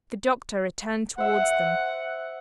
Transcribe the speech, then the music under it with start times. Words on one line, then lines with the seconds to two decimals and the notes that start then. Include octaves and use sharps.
The doctor returned towards them.
1.18 C5 E5 F#5